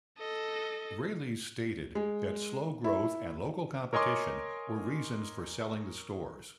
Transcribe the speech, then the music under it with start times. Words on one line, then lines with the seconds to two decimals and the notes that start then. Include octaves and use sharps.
Raley's stated that slow growth and local competition were reasons for selling the stores.
0.18 A4 D#5
1.95 G#3
2.84 E4
3.93 A#4 C#5 D#5 G#5 C6 D6